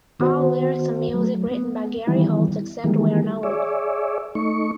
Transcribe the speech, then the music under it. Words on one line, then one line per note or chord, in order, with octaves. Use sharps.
All lyrics and music written by Gary Holt except where noted.
D#3 B3 F#4 C5
F#3 A3
B3
D#3 E3 G3 B3 E4
D#3 E3 G3 G#3 A#3
G#4 C#5 D5 E5
A3 D#4 C#6